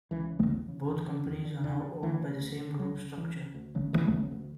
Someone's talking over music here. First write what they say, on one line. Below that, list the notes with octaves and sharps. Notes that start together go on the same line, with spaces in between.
Both companies are now owned by the same group structure.
C#2 E3
C#3
E2
C#3
E2 E3
C#3
E2
D3
E2 D3
D3
D2 E3
C#3
D2
C#3
C#2 F#3
C#3
C#2 E3
C#3
D2
C#3
D2 E3
C#3
D2